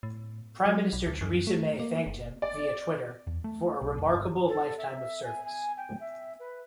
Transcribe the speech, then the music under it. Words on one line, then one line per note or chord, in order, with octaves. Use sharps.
Prime Minister Theresa May thanked him, via Twitter, for "a remarkable lifetime of service".
A2
F#3
B1
D2
F#2
A3
A#3
F#1
D5
E2
A3
B1
F1
G1
A4
E5
G#5
G#5
G5
E5
B4